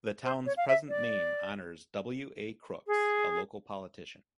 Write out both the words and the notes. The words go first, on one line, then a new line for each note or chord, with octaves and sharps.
The town's present name honors W. A. Crooks, a local politician.
C5
C#5
F5
E5
D5
G#4